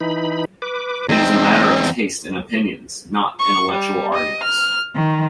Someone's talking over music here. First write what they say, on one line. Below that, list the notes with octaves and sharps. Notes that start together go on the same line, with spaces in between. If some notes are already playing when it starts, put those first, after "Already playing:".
It is a matter of taste and opinions, not intellectual arguments.
E3 D#4 B5
B4 D6
E2 G#3 C4 D#4
C#6
G3
D#5
F6
D#3